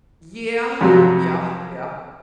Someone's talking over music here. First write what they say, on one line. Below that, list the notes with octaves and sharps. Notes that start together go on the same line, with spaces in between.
Yeah. Yeah. Yeah.
F2 C3 F#3